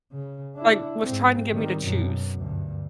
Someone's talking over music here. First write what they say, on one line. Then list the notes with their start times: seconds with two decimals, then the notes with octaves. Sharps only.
like was trying to get me to choose.
0.12 C#3
0.56 D4 E4
1.04 G#2 C4
1.53 D#3 G3
1.83 F#2 B2
2.36 D2 G2